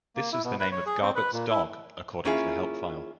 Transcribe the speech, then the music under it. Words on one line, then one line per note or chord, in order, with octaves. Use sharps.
This was the name of Garbutt's dog, according to the help file.
A#3
E4
B2
B4
C#5
G#4
C4
B4
A#2
E4
A#3 C#4 E4 F4 G#4